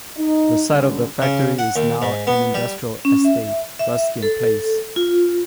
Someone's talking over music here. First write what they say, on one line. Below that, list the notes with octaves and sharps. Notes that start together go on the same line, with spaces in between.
The site of the factory is now an industrial estate, "Ruskin Place".
D#4
B2 D3 G3 C#4
C#3
F#5
D#2
G#2
B3
G3
C#4
E5
E5
A4
F4